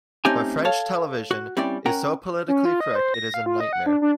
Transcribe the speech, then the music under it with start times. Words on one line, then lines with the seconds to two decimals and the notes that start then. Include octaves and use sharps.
But French television is so politically correct it is a nightmare.
0.25 A3 C4 C#4 D#4 G4 G#5
0.65 A4 C#5 F5 A5
1.31 F#4
1.57 G3 C4 C#4 E4 D5
1.86 C#4 A#4 F#5 G5 A#5
2.48 C#4
2.65 F4
2.80 D#5
2.95 C5
3.14 A#6
3.34 F5
3.46 F4
3.60 D#5
3.73 F#5
3.86 D4
4.02 D4